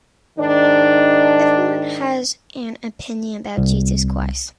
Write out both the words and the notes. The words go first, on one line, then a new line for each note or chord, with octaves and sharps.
Everyone has an opinion about Jesus Christ.
G#2 D#3 D4
C2